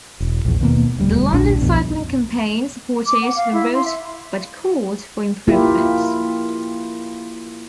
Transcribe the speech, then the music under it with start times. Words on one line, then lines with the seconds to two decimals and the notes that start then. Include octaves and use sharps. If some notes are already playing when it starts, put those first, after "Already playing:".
The London Cycling Campaign supported the route but called for improvements.
0.20 E1
0.45 A#1 E2
0.61 D#2 B2 A#3
0.97 E1 D2 G3
1.32 A#1 D4
1.62 B1 F2 B2
3.06 D6
3.22 F#5
3.36 F5
3.53 E4
3.74 C6
3.86 E5
5.48 A#3 E4 F4 G4